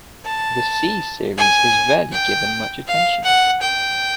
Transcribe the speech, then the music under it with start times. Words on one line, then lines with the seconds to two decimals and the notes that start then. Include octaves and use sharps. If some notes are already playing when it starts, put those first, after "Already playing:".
The "C"-series is rarely given much attention.
0.25 A5
1.38 G#5
2.12 G5
2.88 F5
3.24 F#5
3.62 G5